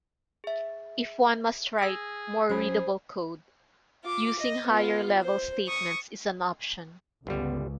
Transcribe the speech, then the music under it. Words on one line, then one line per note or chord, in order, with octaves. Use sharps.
If one must write more readable code, using higher-level statements is an option.
G#4 E5
G#4 E6 A#6
F#3 C#4 G#4 C5 B5
F4 D6
D#5
B3 F4
C5
C#6 D#6
G1 C#2 G3 B3